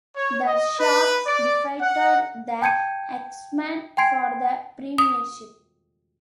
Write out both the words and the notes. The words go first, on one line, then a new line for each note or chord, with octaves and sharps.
The Sharks defeated the Axemen for the premiership.
C#5
D#5
B4
D5
F#5
G5 A5 G6 G#6 C#7 D#7
G5 G#5 C6 G#6 C7 D7
D#6